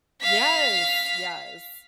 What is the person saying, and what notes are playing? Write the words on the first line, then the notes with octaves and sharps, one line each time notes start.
Yes, yes,
F5 B6